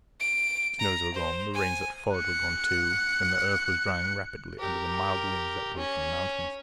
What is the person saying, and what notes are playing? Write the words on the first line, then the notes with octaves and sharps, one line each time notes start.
The snows were gone, the rains that followed were gone, too, and the earth was drying rapidly under the mild winds that blew from the mountains.
D7
A#5
C5
G#5
F#6 C#7
G4 A#4
C#4